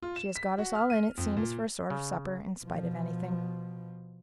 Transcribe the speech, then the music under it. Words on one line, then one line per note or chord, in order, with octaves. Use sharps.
She has got us all in, it seems, for a sort of supper, in spite of everything.
F4
E7
B6
F#4
F6
D#7
F2
A#2
C#3
B2 F3